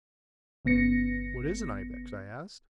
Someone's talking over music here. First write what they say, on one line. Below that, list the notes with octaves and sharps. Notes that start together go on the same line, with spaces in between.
"What is an ibex?" I asked.
G1 C#3 B3 A#6 C#7